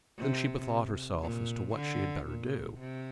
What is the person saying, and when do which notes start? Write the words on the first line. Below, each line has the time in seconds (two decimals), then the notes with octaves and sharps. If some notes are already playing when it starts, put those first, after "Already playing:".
Then she bethought herself as to what she had better do.
0.18 C3
1.23 A#2
1.75 D3
2.27 A#2
2.80 C3